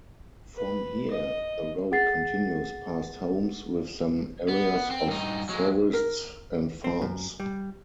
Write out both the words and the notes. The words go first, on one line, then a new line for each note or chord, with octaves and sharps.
From here, the road continues past homes with some areas of forests and farms.
B4
D#5
G#4 F#5 A6 C7
B3
C4
G2 D#4
F#3 G#3
A#4
C4
F#2
G3